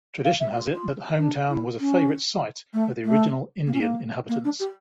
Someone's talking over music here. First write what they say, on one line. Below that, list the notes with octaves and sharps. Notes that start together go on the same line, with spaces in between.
Tradition has it that Hometown was a favorite site of the original Indian inhabitants.
F5
E5
F4
F4
D4
E4
C#4
A3
A3
A#3
C#4
A#3
A#3
D4
G4